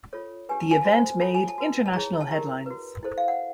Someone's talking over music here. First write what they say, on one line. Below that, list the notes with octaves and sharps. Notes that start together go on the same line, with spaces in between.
The event made international headlines.
F4 A4 C#5
D4 G4 B4 G#5
A5
G#5
F#4 A4 C5 A5
G#5
F4 A4 C#5 A5
G#5
A5
F#4 B4
A5
E4 G#4 C#5 A#5
A5
E4 G4 A#4 A#5
F#4 B4
E4 A4 C5
F5
F#5